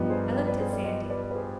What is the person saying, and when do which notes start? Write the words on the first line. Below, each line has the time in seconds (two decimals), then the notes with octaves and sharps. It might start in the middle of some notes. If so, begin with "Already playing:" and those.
I looked at Sandy.
Already playing: G2 F3 B3 D#4
0.10 G#4 C5
0.34 G4 B4
0.47 B4 D5
0.60 G#4 C5
0.72 B4 D5
0.84 C5 D#5
1.10 B4 D5
1.31 B4
1.35 G#4 C5